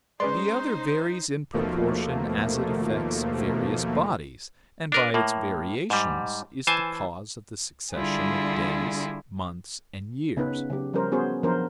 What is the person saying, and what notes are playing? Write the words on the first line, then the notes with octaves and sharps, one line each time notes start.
The other varies in proportion as it affects various bodies, and by its variations is the cause of the succession of days, months, and years.
G#3 C#4 D#4 G#4 B4 C5 D5 C6
D#2 B2 F3 A3 A#3
D4 A#4 B4
A2 A#3
G#2 G3
E3 C5 G#5 A5
D3 G3 E4 F4 G#4
C#3 B3 C#4 D#4 B4
C#3 F#3 G4
F3 G3 C#4 A#4 C5
B3 C#4 F#4 G#4 C5
F3 F#3 B3 D4 A#4 C5